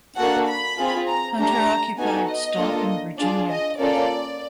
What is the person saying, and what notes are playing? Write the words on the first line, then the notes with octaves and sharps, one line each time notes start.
Hunter occupied Staunton, Virginia.
A#3 D4 F#4 A4 F#5
B5
C4 F4 G#4
A#5
A3 D4 G4 A#5
B3 D#4 F#4 A4 G#5
D#5
A#3 D4 F4 A4
D4 F4 G#4 D5
D#5
A#3 C#4 F4 A4 D5